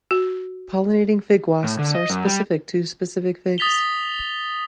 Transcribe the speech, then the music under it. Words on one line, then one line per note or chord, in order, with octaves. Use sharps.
Pollinating fig wasps are specific to specific figs.
F#4
A2
D3
D#5
F#2
G3
D#6 A6 B6 F7 G7